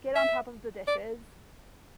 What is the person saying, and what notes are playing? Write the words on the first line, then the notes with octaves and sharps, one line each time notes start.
get on top of the dishes,
E5
D5